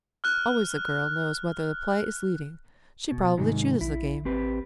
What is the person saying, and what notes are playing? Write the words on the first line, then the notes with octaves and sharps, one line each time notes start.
Always the girl knows whether the play is leading: she probably chooses the game.
F6 F#6
B2
G#2 C3 D#3
A#1 E4
A1 C4 G4 B4